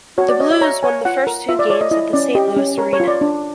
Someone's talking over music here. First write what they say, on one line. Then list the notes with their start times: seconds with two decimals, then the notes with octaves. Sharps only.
The Blues won the first two games at the Saint Louis Arena.
0.18 F#4 C#5
0.29 D5
0.40 C#5 D#5
0.51 E5
0.61 C#5 A#5
0.83 C#5 G#5
1.05 F4 F#5
1.27 A#4
1.49 F4 E5
1.59 D5
1.70 C#5 D5
1.81 D#5
1.91 E4 D#5
2.13 C#4 D5
2.35 G4 D#5
2.56 C#4
2.78 A#4 C#5
2.93 C#5
3.00 F4
3.08 D5
3.21 D4